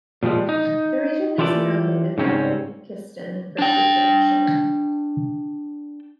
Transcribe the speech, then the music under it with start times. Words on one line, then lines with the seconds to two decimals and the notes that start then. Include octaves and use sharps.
The region is known in Balochistan for fruit production.
0.23 A#2 F3 G3 G#3
0.49 D#4
1.38 E3 F4 G4 A4 D5
2.18 G#2 C#3 C4 C#4
3.58 D4 G5